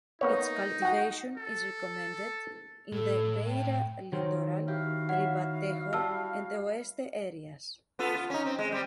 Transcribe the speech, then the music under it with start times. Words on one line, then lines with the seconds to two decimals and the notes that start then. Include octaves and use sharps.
Its cultivation is recommended in the Beira Litoral, Ribatejo and Oeste areas.
0.21 A#3 B3 D#4 C#5
0.82 F#4 F#5
1.37 A4
2.92 A2 A4
3.48 G5
4.12 D#3 F#3 C4 A#4
4.68 E4 F#4 G4 F5
5.09 C#5 E5 F#5
5.93 G3 A5 E6 F6
7.99 B3 F4 A4
8.15 F4
8.30 C#4 D#4
8.46 C4
8.59 G#3
8.72 G3 C4